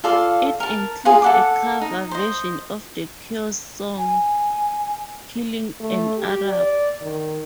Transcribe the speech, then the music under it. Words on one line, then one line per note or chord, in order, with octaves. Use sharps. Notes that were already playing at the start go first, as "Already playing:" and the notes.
It includes a cover version of The Cure's song "Killing an Arab".
F4 A4 D5 F5
A#4 A5
F4 G#4
A4 F#5 D6
D#4
C5 D#5
G#5
A3
G4
D5
D#3